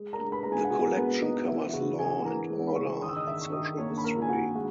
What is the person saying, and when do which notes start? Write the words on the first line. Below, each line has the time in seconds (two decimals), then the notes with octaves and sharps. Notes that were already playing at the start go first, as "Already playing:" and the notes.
The collection covers law and order, and social history.
Already playing: G#3
0.13 A#4 A#5
0.20 G#3
0.32 B4 B5
0.43 G#3 A#5
0.52 G#4 G#5
0.64 F#5
0.70 B2 G#4 G#5
0.86 A#4
0.96 G#3 B3 B4
1.22 B2 D#4 D#5
1.48 E3 E4 E5
1.69 E5
1.73 C#3 F#4 F#5
1.99 C#3 G#4 G#5
2.25 E3 A#4 A#5
2.50 G#3
2.67 B5
2.75 C#3 C#5 C#6
3.02 D#3 D#6
3.08 E6
3.16 D#5 D#6
3.27 D#3 E5 E6
3.42 C#6
3.52 D#3 D#5 D#6
3.78 A#3 C#5 C#6
3.98 B5
4.04 A#3 A#4 A#5
4.22 G#5
4.29 D#3 F#4 F#5
4.55 G#3 F#4 F#5